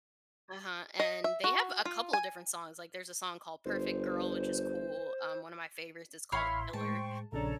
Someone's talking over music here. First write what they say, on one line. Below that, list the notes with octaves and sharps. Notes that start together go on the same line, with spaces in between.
uh-huh, and they have a couple of different songs, like, there's a song called Perfect Girl, which is cool, um, one of my favorites is called Killer.
D#5
E5
F#4
F4
G#5
G1 C5
A1 E4 C#5 F5 B5 C6
A2 G#3 C5 G5 A5 C#6
A#1 C#3 D4 A4 C#5 A#5